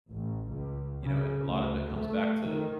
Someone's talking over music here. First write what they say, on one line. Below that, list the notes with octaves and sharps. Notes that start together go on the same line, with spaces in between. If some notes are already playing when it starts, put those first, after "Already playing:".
You know, a lot of it comes back to
A1
C#2
C#3
D2
A3
D#3